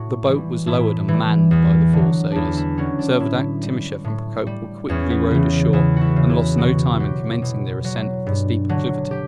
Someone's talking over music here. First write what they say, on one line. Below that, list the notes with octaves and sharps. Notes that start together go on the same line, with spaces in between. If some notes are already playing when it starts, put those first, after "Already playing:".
The boat was lowered and manned by the four sailors; Servadac, Timascheff and Procope were quickly rowed ashore, and lost no time in commencing their ascent of the steep acclivity.
Already playing: A2 F#4
E3 G3
A2 E4
E3
G3
E2
D3 F#3
E2 D4 E4
E4
D3 F#3 C#4
D4
A2 E4
G3
A2
G3
E2 C#4
B3
C#3 E3
E2 E4
E4 F#4
C#3 E3
E4
B2 F#4
F#3 G4
B2
F#3
G2
D3 F#3
G4